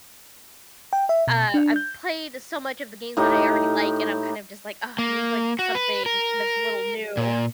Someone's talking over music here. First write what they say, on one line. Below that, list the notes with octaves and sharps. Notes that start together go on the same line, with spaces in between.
uh, I've played so much of the games that I already like, and I'm kind of just like, "Oh, I need, like, something that's a little new,"
G5
E5
B2
D4
G6
A2 D#4 G4
A#3
F#4
B4
A#4
A#2